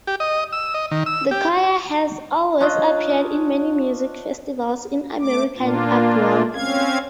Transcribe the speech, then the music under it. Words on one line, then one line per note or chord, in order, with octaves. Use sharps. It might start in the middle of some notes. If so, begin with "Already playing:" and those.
The choir has also appeared in many music festivals in America and abroad.
G4
D#5
E6
D#5
D#3
E6
G4
D4 F4 C#5 D#5
A3 D6
A#2 A#3 D4 F4
C4 C#4 F5 G#6